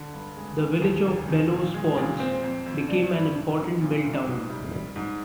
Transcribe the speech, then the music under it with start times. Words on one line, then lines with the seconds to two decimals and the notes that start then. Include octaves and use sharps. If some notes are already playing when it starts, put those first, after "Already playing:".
The village of Bellows Falls became an important mill town.
Already playing: D3
0.13 G2
0.36 G#3
0.59 D#3
0.82 D#2
1.06 F1
1.28 D#3
1.51 A#2
1.74 G#3
1.97 A#2
2.20 C4
2.43 F2
2.66 F2
2.89 D4
3.12 G2
3.35 G2
3.58 G1
3.81 A#2
4.04 C2
4.27 G#2
4.50 G3
4.73 G3
4.96 G#2